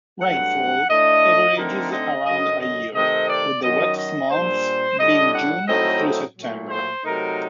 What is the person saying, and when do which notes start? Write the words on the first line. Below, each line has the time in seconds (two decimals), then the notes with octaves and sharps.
Rainfall averages around a year, with the wettest months being June through September.
0.21 G2 F#3 A3 F#5
0.89 A2 A3 D4 D#5
1.57 D3 A3 C4 D#4 A#4
1.91 D#5
2.25 F#2 D3 F#3 D#5
2.60 D#5
2.93 C3 D#3 A3 C4 D#5
3.28 D5
3.63 F#2 D#3 F#3 D#5
3.97 D#5
4.31 A#2 G3 D4 C5
4.99 A2 G3 D4 D#5
5.34 F#5
5.68 A2 F#3 A3 C4 D#4 D#5
6.36 A#2 F#3 A3
6.70 C5
7.04 C3 F#3 A3 D#4 A#4